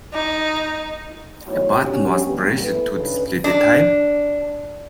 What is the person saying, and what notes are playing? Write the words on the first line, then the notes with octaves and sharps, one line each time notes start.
A button was pressed to display the time.
D#4
F#3 A3 B3 D#4 E4 C#5
C#4 D4 F#4 G4
D2 C#3 E3 G3 A#3 B3
E4 A4 B4
G2 C#3 D#4 B4
D4